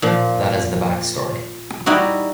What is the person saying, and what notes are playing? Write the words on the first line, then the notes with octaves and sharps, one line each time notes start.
That is the backstory.
A#2 F3
G3 D#4 E4 F#4